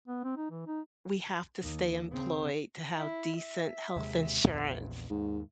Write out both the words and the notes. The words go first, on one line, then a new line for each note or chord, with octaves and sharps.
we have to stay employed to have decent health insurance.
B3
C4
D#4
E3
D#4
D#2
C#3 C4
E4
E5
D#2 C3 G#3
A#1 E2 A#2
D#2 G#2